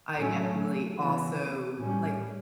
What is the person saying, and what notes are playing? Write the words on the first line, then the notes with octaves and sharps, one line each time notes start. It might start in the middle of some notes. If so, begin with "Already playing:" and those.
I definitely also, like
A2 F#3 A3 C#4
C#3 E3 B3
A2 G3 C#4